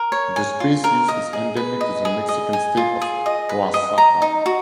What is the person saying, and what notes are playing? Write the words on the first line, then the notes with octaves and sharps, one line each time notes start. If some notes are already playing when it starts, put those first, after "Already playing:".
The species is endemic to the Mexican state of Oaxaca.
Already playing: A#4
C#5
G#5
F4
A#4
D#5
G#4
B4
D#5
G#4
D#5
G#5
F4
G#4
D#5
B4
D#5
A#5
D#4
F#4